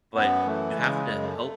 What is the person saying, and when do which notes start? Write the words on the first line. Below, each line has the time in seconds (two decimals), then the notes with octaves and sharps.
but you have to help
0.14 F#2 B3
0.45 E3 A3
0.76 C#3 G#3
1.07 F#2
1.23 A3